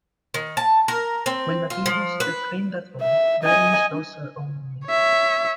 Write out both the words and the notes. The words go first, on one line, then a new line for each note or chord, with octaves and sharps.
When Lathyros reclaimed the throne, Berenice lost her own rule.
D#3
A5
A#4
C4
F4
F3
B4
E5
D#5 G#5
C#5 E5